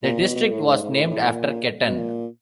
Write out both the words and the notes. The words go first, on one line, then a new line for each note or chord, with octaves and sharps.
The district was named after Ketton.
A#2
B2
B2
A2
G#2
G#2
A2
A2
A#2
B2
A#2